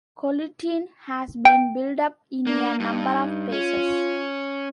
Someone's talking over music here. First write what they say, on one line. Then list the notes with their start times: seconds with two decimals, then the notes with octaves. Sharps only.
Collydean has been built up in a number of phases.
1.45 G5
2.47 A#3 D4
2.80 G2 D#4
3.52 C#4 F4